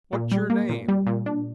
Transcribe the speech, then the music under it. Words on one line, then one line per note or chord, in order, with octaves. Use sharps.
"What's your name?"
A#2
G3
A#3
A#2
G3
A#2
D4